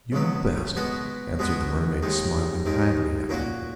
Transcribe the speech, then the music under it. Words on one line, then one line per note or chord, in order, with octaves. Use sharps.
"You know best," answered the Mermaid, smiling kindly at him.
C#2 C#3 F#3 B3
B2 G#3 B3 F#4
B2 G#3 B3 F#4
D#2 D#3 G#3
D#2 D#3 G#3
A#2 A#3 C#4 F#4